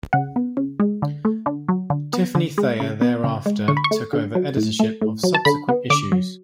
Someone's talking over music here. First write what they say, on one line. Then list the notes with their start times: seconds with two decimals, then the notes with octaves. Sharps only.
Tiffany Thayer thereafter took over editorship of subsequent issues.
0.13 C#3 F#5
0.36 B3
0.57 C#3
0.80 G#3
1.02 D3
1.25 A3
1.46 D3
1.69 F#3
1.90 D3
2.13 B3
2.35 D3
2.58 G#3
2.80 C#3
3.01 B3
3.24 C#3
3.46 G#3
3.68 D3 C#6
3.77 B5
3.84 C#6
3.91 A3
4.13 D3
4.35 F#3
4.57 A2
4.80 A3
5.02 A2
5.23 F#3
5.35 A5
5.45 D3 B5
5.69 B3
5.90 D3 D6
6.12 F#3